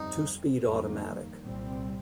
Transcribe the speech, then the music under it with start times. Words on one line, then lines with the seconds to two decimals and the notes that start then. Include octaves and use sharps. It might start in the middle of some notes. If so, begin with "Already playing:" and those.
Two speed automatic.
Already playing: G1 F2 C3 G3 C4 D#4
0.60 F2 D#3 G3 A#3
1.44 C2 A#2 G3 C4